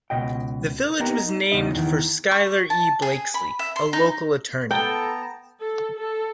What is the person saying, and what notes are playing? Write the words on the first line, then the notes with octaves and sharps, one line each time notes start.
The village was named for Schuyler E. Blakeslee, a local attorney.
C#2 B2 D#5 G5
B3 D#4 G4 A#4
D#4
E2 G2 C#3 D#4 D#5
E2 D#3 E3
C#6
A5
G#4
B5
E5
C6
D#4
B3 A4 G5 A5 A#5
A4
A4